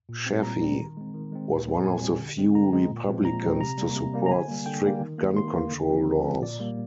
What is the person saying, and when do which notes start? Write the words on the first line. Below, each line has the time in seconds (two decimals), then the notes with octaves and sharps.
Chafee was one of the few Republicans to support strict gun control laws.
0.09 A#2
0.26 G3 C4
0.43 A#2 A#5
0.62 G3 C4
0.79 D#3
0.97 G#3 C4
1.14 D#3
1.32 G#3 C4
1.49 A#2
1.67 G3 C4
1.84 A#2 G#5
2.02 G3 C4
2.19 D3
2.38 G#3 C4
2.55 D3 A#5
2.73 G#3 C4
2.91 A#2
3.08 F3 G#3 C4
3.25 A#2 A#5
3.43 F3 G#3 C4
3.61 C3 A#5
3.78 G3 A#3
3.96 C3
4.14 G3 A#3
4.26 A#5
4.30 D3 G#5
4.48 G3 A#3
4.66 D3 G5
4.84 G3 A#3
5.01 D#3
5.18 A#3
5.37 D#3 C6
5.54 A#3
5.72 D3
5.90 F3 C4
6.07 D3
6.24 F3 C4
6.42 A#2 D5
6.60 G3 A#3